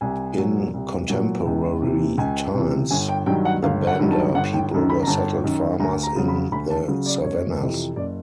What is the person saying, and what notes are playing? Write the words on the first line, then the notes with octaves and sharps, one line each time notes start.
In contemporary times, the Banda people are settled farmers in the Savannas.
C2 G#5
A#2 F#3
C2
A#2 F#3
C#2
C3 E3
C#2 G#5
C3 E3
G1 G#5
G5
G2 D#3 F#3 G5
F#5
G1 F5
F#5
G2 D#3 F#3
A5
G1 F#5
G5
F#2 D#3
B5
A#5
G1 A5
F#2 D#3
D2 A#5
A#5
C#3 F#3
B5
D2 B5
A5
C#3 F#3
D5
F#1 C#5
F2 C3 E3
F#1 D5